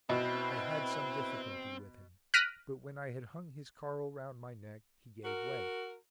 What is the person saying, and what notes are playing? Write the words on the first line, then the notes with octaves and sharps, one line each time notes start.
I had some difficulty with him, but when I had hung his coral round my neck he gave way.
B2 C4 E4 B4
F6 F#6 A#6 B6 D7 D#7
F#4 A#4